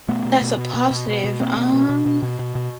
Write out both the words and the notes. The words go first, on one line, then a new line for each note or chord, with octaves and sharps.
That's a positive. Um
B2 A3 B3
B2
B2
B2
B2
B2
B2
B2
B2 A#3 C4
B2
B2
B2
B2
B2
B2
B2